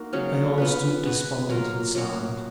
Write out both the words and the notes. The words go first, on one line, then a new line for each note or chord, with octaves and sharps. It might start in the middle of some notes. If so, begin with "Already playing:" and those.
They all stood despondent and silent.
Already playing: A#3 D#4 F#4 A#4
C#3 F#3 C#4
B3 F4 B4
G#3 B3 F#4 B4
F#3 A#3 F4 A#4
F#3 A#3 C#4 F#4